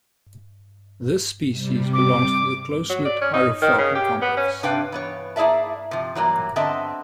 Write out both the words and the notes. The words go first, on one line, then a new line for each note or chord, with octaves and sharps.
This species belongs to the close-knit hierofalcon complex.
C3 G3
D6
F#3
D5
C#4
D#4
D#3
C#3
G4
B3
C#4
C3 D4 B4 F5 G5
E3 B3 C#5
A#3 E4 G#4 D5 E5 A5
C3 F3
E3 F#3 G3 A#3
D3 B3 C4 D#5 E5 A5